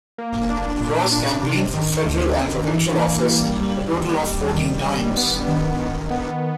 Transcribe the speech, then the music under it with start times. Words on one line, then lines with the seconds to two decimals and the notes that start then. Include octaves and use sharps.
Ross campaigned for federal and provincial office a total of fourteen times.
0.18 A#3
0.49 D4
0.80 A#2
1.12 D4
1.43 C3
1.74 D#3
2.06 D2
2.36 D#3
2.67 E3
2.98 A#3
3.30 G3
3.60 G3
3.93 D#2
4.23 G3
4.54 D#3
4.85 G3
5.17 B3
5.48 D#3
5.79 D#3
6.10 B3